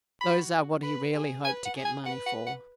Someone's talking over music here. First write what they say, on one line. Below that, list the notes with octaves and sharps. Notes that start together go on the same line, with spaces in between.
Those are what he really hoped to get money for.
F#4 B5
B4 B5
G#4
B4 G#5
F#5
G#4
G#5
B4 F#5
F#5
F#5